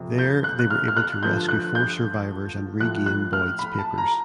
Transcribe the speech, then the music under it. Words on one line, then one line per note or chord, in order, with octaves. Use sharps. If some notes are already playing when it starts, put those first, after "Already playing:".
There they were able to rescue four survivors and regain "Boyd"s papers.
Already playing: F2 C3 F3
G6
F#6
F#6
F6
F6
F#6
G2 D3 F3 G6
F#6
G6
A2 F3 F#6
F#6
F6
B5
A5
A#5